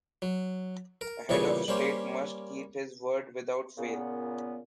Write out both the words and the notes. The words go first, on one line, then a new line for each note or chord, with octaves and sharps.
A head of state must keep his word without fail.
F#3
A#4
E2 A#2 C#3 G3 G#4 C#6
G3 A#3 C#4 C5
A#2 C#3 B3